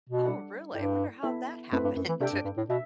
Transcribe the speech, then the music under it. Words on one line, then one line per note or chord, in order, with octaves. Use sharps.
Oh, really? Wonder how that happened.
B2
G3 D4 A4 D5 F#5
G2 E4 A4 D5 G5
B3 E4 A4 E5
F#2 A3 C4 E4 B4
G2
F#2
E3
C3 D4 A4 D5 G5
G2
G2
A2
B2 E5